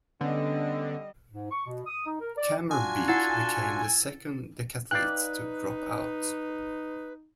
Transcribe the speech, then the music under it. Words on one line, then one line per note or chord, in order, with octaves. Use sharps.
Kamerbeek became the second decathlete to drop out.
D3 G3 B3 C#4 D4 D#5
G#2
C#6
B2
D#6
D#4
A#4
D5
D4 F4 F#4 G#5
E4 A4 F#5
D#4 B4 D5 F5 G5 F#6